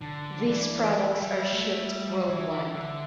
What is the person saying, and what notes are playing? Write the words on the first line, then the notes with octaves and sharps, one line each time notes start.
These products are shipped worldwide.
D3 A5
E3 D5
E5
G3
A3
G3
E3
D3 E5